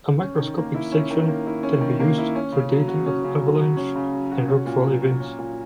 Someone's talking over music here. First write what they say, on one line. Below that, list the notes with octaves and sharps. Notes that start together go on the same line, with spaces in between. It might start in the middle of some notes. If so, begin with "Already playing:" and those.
A macroscopic section can be used for dating of avalanche and rockfall events.
C#4
D#3
A#3
E4
C#4
D#3
A#3
E4
C#4
D#3
A#3
E4
C#4
C#3
F#3
F#4
C#4
C#3
F#3
F#4
C#4
C#3
F#3
F#4
C#4
A#2
F#3
F#4
C#4
A#2